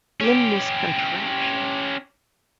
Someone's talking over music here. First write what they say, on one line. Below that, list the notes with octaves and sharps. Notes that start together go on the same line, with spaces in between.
in this contraption.
C#4 G4